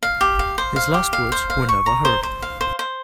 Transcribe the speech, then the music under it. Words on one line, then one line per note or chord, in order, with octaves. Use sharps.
His last words were never heard.
F5
G4
F5
C5
F5
G4
F5
C5
F5
C#6
A#5
C5
C5
F5
C5
C5